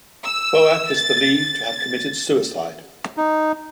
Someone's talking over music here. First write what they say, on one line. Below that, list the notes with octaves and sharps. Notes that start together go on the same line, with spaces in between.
Boake is believed to have committed suicide.
E6
A6
A6
D#4